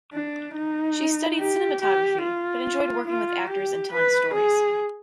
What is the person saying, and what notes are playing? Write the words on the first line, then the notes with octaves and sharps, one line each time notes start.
She studied cinematography but enjoyed working with actors and telling stories.
D4
D#4
G4
G4
F4
F4
G4
B4
G#4